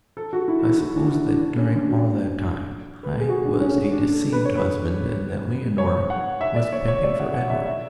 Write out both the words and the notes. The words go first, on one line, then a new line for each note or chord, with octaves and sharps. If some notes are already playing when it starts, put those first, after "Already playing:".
I suppose that, during all that time I was a deceived husband and that Leonora was pimping for Edward.
A4
F#4
E4
E4
E4
D4
E4
D4
D4
C#4
D4
F#4
B4
A4
G#4
F#4
D4
C#4
C#4
D4
A4
B4
C#5
B4
C#5
F#5
E5
D5
C#5
C#5
D5
F#5
F#5
E5
E5